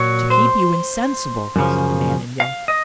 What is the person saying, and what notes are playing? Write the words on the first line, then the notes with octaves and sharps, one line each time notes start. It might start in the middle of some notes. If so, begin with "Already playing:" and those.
"To keep you insensible," said the man in yellow.
Already playing: A#2 F#3 C#5
C5
F#2 C#3 F3
F5
D#5